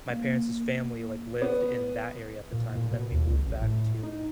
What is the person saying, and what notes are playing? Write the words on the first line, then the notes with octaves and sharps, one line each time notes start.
my parents' family, like, lived in that area at the time, but then we moved back to
A#3
B3
A#2
A#2
B2
D#2
C#2
A1
A2
D#4